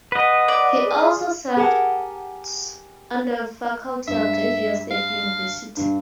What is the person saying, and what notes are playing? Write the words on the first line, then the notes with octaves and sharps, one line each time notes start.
He also serves on the faculty of Georgia State University.
B4 D#5 F#5
D5
G#4
G4 G#4 A#4 C5 F#5 A5
G2 E5
F5
G2